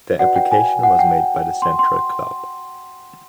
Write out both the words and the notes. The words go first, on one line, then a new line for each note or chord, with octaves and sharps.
The application was made by the Central club.
F#4 B4 D5 F#5
G5
G#5
F#5
G5
C6
C6